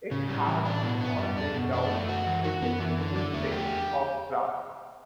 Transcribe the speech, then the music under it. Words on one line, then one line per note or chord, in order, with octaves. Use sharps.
It has a small playground, with an open space of grass.
A2 C#3
A2
G3
A2
E3
D4
B2
A2 B3
G2
F#2 G3
E2 D4
F#2 B2
D4
A3
F#4
E3
F#4
F#2 B3
E3
D3
D4
E2 A3
G4